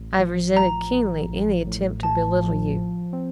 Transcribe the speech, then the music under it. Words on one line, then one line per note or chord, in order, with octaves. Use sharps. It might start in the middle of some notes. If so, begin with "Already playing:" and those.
I have resented keenly any attempt to belittle you.
Already playing: A1
F3
A1 A#5
A1
A1
A2
A2 A5
F3
F3
C4